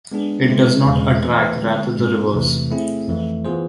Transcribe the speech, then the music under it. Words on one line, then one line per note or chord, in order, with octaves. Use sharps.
It does not attract, rather the reverse.
G#3 B3 D4 G#4
C3 G#3 C4 E4 B4
E2 B2 G#3
E3 A3 E4 B4
D3 G#3 B3
G#2 G#3 C4 G#4
E2 C3 E3 A3
A3 C4 E4 G#4
F2 E3 A3
E3 B3 F4 G#4 C5